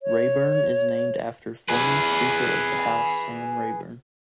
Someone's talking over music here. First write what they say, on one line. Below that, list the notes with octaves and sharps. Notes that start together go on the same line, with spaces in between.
Rayburn is named after former Speaker of the House Sam Rayburn.
C#5
G#4 B4